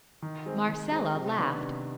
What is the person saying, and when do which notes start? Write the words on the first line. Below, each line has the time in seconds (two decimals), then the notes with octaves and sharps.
Marcella laughed.
0.22 D#3
0.46 G#3 C4
0.68 D#3
0.92 G#3 C4
1.14 C3
1.38 D#3 B3 D4
1.60 C3